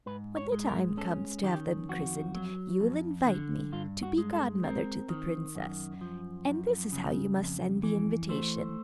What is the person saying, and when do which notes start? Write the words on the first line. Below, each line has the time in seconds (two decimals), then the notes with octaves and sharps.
When the time comes to have them christened you will invite me to be godmother to the princess, and this is how you must send the invitation.
0.06 G#2 B4
0.37 C#5
0.52 G#3
0.67 A#4
0.97 C#4 A4
1.43 D#3 G4
1.89 F2 F#4
2.35 F#3
2.80 F2
3.26 D3
3.72 G2 F4
4.03 F#4
4.18 G#3
4.33 A4
4.64 C4 A#4
5.09 D#3
5.55 F#2
6.01 F3
6.47 F#2
6.92 C#3
7.38 F2
7.83 E3
8.29 A3 C5